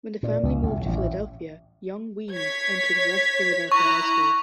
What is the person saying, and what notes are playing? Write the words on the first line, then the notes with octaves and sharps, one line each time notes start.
When the family moved to Philadelphia, young Weems entered West Philadelphia High School.
A#2
C#2
C2
A1
C#5 G#6 B6
E4 A#5 C#6 F#6